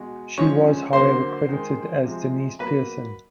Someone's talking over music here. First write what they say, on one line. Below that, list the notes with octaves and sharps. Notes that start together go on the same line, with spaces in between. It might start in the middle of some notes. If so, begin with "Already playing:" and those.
She was, however, credited as Deniece Pearson.
Already playing: B2 G#3
C#3 F3 G#3 C#5 C#6
D3 F#3 A#3 C5 C6
D#3 G#3
C3 F3 G#3
B2 F#3 A#3 B4 B5